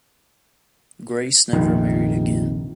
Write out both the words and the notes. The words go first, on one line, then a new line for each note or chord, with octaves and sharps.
Grace never married again.
F1 A#1 D#3